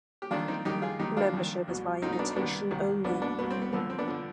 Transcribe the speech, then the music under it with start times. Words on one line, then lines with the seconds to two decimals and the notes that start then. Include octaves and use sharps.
Membership is by invitation only.
0.22 G4
0.31 F2 D#3 D4 F4
0.48 C4 D#4
0.65 F2 D#3 D#4 G4
0.82 F4 G#4
0.99 F2 D#3 D#4 G4
1.17 D4 F4
1.33 F2 D#3
1.68 C2 B2
2.02 C2 B2 C4 D#4
2.13 D#4
2.19 B3 D4
2.36 C2 C3 D#3 B3 D4
2.71 C2 C3 D#3
3.04 C2 B2 B3 D4
3.22 B3 D4
3.39 C2 B2 B3
3.50 C4
3.62 B3
3.73 F2 D3 F3 B3
3.90 C4
3.99 B3 D4
4.08 D3 F3